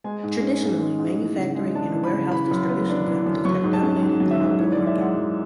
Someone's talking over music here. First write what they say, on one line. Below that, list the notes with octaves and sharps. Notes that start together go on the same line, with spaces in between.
Traditionally, manufacturing and warehouse distribution companies have dominated the local market.
G#3 G#5
G#2
C#4
G#2
G#3
G#2
E3
C#3
G#3
D4 A5
E3
B5
C#3
E3 B5
F#2
B3
D4
E3
F#2
F#3 C#6
G#2
A5
C#4
G#2
F#3
E5
G#2
E3 C#5
F#2 D5
E5
G#3 F#5
F#2